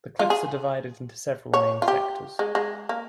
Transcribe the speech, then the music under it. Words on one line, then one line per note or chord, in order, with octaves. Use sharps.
The cliffs are divided into several main sectors.
F4
G#4
C#5
F4
G4
G#3
G#3
A#3